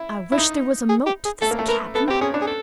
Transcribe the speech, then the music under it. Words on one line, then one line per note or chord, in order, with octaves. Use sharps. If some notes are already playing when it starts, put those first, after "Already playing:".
I wish there was a moat to this cabin.
Already playing: E4
E4
D#4
G#4
G4
G#4
A3 A4
A#3
A3
B3 A#4
B3 A4
C4 G4
C#4 G#4
D4
G#4
A4